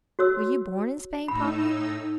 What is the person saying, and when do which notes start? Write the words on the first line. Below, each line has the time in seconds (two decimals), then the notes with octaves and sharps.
"Were you born in Spain, Pablo?"
0.19 F#4 C#5 E6
1.28 A2 D#4 B5 E6